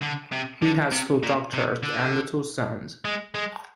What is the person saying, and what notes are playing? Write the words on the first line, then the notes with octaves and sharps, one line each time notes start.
He has two daughters and two sons.
D3
C3
D3
C3
A#2
C3
D3
G#3
G#3